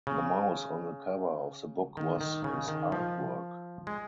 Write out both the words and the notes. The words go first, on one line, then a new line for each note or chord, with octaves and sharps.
The mouse on the cover of the book was his art work.
C#3
D#3
D#3
C#3
D#3
F3
G#3